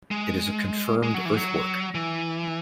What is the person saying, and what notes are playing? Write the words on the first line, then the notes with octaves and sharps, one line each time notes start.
It is a confirmed earthwork.
G#3
G#3
F#3
E3
F#3
E3